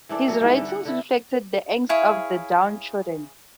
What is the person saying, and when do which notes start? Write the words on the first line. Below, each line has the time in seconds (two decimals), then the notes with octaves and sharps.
His writings reflected the angst of the down-trodden.
0.09 E3 C4 D4 A4
0.28 F#3 A4
0.41 G#2 E3 G3 G5
0.55 D3 G3
0.68 F#5
0.85 D3 E4
1.89 E4 G#4 C#5 F5